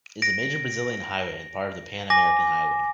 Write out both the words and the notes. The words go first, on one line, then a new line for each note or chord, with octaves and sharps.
It is a major Brazilian highway and part of the Pan-American Highway.
A#6 D7
G#5 D6 A#6